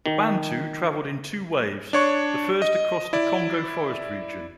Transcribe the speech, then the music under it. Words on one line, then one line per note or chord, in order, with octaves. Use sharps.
The Bantu traveled in two waves, the first across the Congo forest region.
D#3
D4 C#5 C#6
D#5
E4 D5